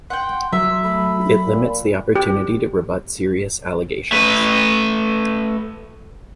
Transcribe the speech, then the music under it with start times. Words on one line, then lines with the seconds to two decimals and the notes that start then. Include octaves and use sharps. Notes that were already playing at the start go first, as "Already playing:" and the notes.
It limits the opportunity to rebut serious allegations.
0.10 F#5 G5 C6
0.53 F#3 E5
0.84 A3 B5
1.40 A#2
2.16 G4
4.12 A3 B4